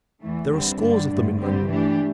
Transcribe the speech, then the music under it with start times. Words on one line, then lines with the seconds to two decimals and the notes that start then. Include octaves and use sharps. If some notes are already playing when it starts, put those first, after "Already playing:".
There are scores of them in London.
0.21 E2 E3 A3
0.49 E2 D3 G3 C4
0.78 G2 D3 G3 D4
1.08 G2 D3 A3
1.38 G2 D3 G3 C4 G4
1.67 E3 A3 D4 G4